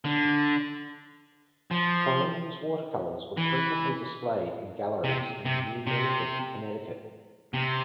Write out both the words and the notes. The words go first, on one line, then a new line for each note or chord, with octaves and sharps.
Crohn's watercolors were frequently displayed in galleries in New Milford, Connecticut.
D3
F3
E3
C3
C3
C3
C3